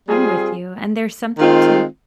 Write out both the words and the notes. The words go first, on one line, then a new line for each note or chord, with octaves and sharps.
I'm with you. And there's something to
G3 C4 F4 G#4
D#3 G#3 C4 F4